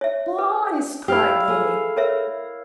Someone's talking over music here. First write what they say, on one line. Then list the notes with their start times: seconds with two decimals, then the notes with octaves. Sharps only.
"Boys!" cried they.
0.01 C#5 E5
0.38 B4
1.08 E4 G4 F5
1.48 A3 G#4
1.97 A#4 C#5 E5